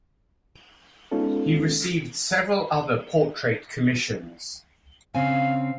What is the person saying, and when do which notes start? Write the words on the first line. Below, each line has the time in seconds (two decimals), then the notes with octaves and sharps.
He received several other portrait commissions.
1.12 G#3 B3 C#4 D#4 F4 A4
5.15 C#3 C4 F5 G#5